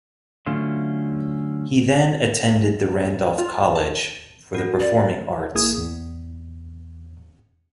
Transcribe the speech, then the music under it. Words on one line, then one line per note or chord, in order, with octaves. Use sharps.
He then attended the Randolph College for the Performing Arts.
D3 F#3 A3 C#4 F4
F4
A5
C#4 F#4
D5
A1 A#3 E4 G#4 D#6 G#6
E2